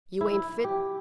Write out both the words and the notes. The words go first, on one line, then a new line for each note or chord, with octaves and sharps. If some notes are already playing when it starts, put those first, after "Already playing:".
"You ain't fit."
E4
G4